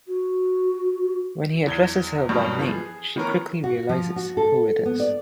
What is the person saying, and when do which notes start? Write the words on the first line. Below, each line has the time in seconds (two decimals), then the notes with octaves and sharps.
When he addresses her by name she quickly realizes who it is.
0.07 F#4
1.67 E2 G#6 G7
2.29 G2 B2 D#3 F#3 G3
2.59 E3 F3 B3
2.72 G#4
3.16 D#3 E3 B3 C#4 A#4
3.64 F#4
3.89 F3
4.16 F#4
4.37 A4
4.86 B3
5.00 D5